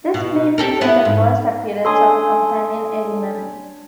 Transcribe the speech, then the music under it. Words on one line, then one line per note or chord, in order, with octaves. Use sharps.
This play features the first appearance of the companion Erimem.
B2
G4 A4 A#4
B3 E4 B4
G#2
C#4 D4 A4 G#5 C6 D#6